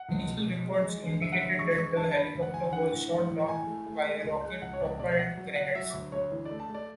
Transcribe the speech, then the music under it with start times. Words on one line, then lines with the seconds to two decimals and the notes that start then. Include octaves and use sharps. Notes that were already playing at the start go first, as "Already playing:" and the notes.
Initial reports indicated that the helicopter was shot down by rocket propelled grenades.
Already playing: F#5
0.09 C#2
0.27 B2
0.46 B2
0.65 G#3
0.84 G#3
1.03 D3
1.21 D2 E5
1.32 F#5
1.41 D3 E5
1.59 G#3 C#6
1.78 D3 C#6
1.97 D3 A5
2.11 A5
2.16 D3 B5
2.35 D2
2.42 F#5
2.54 D2 G#5
2.73 D3 F#5
2.92 A2
3.11 E3
3.30 A2
3.48 A2 G#5
3.67 A3
3.86 A3
4.05 G#3
4.24 C#2
4.43 G#3
4.62 C#2 F#5
4.73 C#5
4.80 C#2 D5
4.99 B2 D5
5.11 E5
5.18 F#3 F#5
5.37 F#3
5.56 F#3 F#5
5.75 F#3 E5
5.94 D2
6.12 D2 C#5
6.31 E3
6.45 D5
6.51 A3
6.60 A5
6.69 A3
6.75 D5